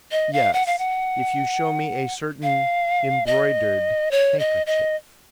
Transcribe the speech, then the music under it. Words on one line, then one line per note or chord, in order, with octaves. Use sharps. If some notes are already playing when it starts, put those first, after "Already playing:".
"Yes, if you show me a certain embroidered handkerchief."
D#5
F5
F#5
F5
F#5
F5
D#5
C#5
D#5
D#5